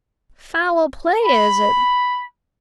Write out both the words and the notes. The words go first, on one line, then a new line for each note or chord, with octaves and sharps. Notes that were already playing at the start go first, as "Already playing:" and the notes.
Foul play, is it?
B5